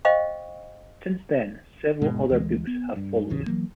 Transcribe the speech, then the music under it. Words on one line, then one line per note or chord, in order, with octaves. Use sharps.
Since then several other books have followed.
C5 D#5 F5 G5 C#6
E1 G#2 B2 G#3
D2 E3 G#3
B3
G2
D1 A1 E2 C#3
E3 F#3 A#3